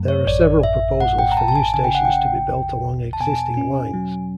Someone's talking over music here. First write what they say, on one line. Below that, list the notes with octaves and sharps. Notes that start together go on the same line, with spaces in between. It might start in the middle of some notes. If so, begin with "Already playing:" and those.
There are several proposals for new stations to be built along existing lines.
Already playing: F#2 A3
C#5
A1 D5
A1 E5
A2 F#5
G5
A#5
A1 A5
A5
G#5
C#3 G#5
G5
F#5
G5
C#3
E2
E2
A5
B2 G#5
C#4
F#3